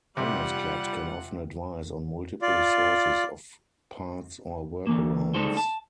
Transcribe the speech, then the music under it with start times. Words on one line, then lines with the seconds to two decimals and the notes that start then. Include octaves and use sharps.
Owners clubs can often advise on multiple sources of parts or workarounds.
0.17 C3 G3 F4 F#5
2.42 F4 D5
4.87 D3 E3 A#3
5.34 G3 G#3 D#4 A4 C5
5.57 A5